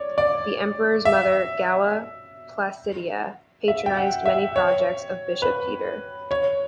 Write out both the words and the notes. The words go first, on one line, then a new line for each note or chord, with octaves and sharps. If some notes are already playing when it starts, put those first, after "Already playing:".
The Emperor's mother, Galla Placidia, patronized many projects of Bishop Peter.
Already playing: C#5 D5
D5
E5
E5
G5
F#5
E5
C#5
B4
C#5